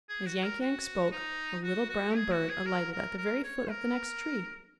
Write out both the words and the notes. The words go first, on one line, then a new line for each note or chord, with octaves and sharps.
As Yank-Yank spoke, a little brown bird alighted at the very foot of the next tree.
G#4
F#4
A#4
F#4
D#4
F#4
F#4
G#4
F#4
G#4
A#4
A#4
A#4
C#5
A#4